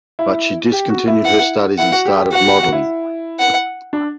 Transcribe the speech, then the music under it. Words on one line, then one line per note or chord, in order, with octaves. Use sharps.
But she discontinued her studies and started modeling.
E4
G4
F#4
E4
F#5
E4 F#5
F#4
G4
G4
F#4 F#5
G4
F#4
E4
F#5
D4